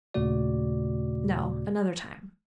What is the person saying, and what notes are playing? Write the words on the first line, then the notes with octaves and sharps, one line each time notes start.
"No, another time."
D#2 A#2 C#3 A3 F#4 D5